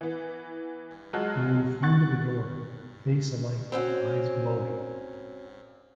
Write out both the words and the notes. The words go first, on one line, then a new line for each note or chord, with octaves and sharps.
Ann flew to the door, face alight, eyes glowing.
E3 B3
F#3 G#3 F4 F#4 A5 F#6
F#5 C#6 F#6 A6
C4 C#4 F#4